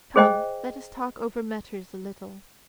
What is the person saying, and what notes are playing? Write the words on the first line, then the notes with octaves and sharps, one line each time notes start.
Come! let us talk over matters a little.
G#4 C5 D#5 G5 G#5